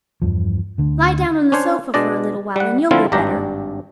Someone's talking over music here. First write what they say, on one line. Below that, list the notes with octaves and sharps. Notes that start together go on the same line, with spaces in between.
Lie down on the sofa for a little while and you'll be better.
E2 G2 F3
D2 D3
C#4 D4 C5 C#5
B2 G#3 D4 D5 D#5
G3 F#5
D3 F3 C4 E4 F4
G#1 G2 D4 G4 A#5